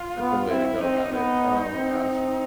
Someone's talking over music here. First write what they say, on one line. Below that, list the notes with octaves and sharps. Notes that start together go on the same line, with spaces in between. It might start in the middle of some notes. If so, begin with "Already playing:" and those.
that's the way to go about it. Oh my gosh.
Already playing: F4
B3
C4 E4
E4
C4 D#4
D#4
B3 D#4
C4